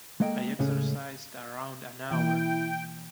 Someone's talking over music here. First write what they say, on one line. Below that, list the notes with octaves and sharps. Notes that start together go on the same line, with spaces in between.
I exercised around an hour.
G#3 A#3 A4 D#5 G5
C#2 A2 C#3 G#3 C#4 G#4
B2 E3 A#3 E4 G5